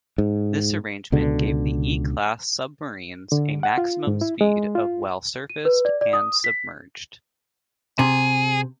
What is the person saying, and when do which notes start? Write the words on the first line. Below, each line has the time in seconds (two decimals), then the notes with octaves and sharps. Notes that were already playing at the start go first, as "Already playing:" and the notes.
This arrangement gave the "E"-class submarines a maximum speed of while surfaced and submerged.
0.18 G#2
1.12 C#2 B2 D3
3.32 D3
3.63 F#5
3.78 F4
4.07 G#2
4.21 E4
4.41 G#3
4.75 F4
5.50 D#7
5.65 B4
5.85 D5
6.01 D5
6.13 D#6
6.44 B6
7.99 C3 G#4